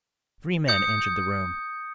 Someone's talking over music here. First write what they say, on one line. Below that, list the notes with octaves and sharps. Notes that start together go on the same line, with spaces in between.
Three men entered the room.
D#6 G6 C#7